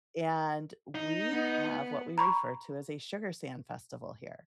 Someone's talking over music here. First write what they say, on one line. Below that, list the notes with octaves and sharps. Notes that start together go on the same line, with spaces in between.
and we have what we refer to as a Sugar Sand Festival, here.
D#4
B3
A#5 B5 C#6